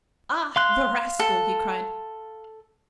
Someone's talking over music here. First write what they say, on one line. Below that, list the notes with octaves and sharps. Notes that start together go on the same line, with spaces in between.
"Ah, the rascal!" he cried.
F5 C6 F#6
A4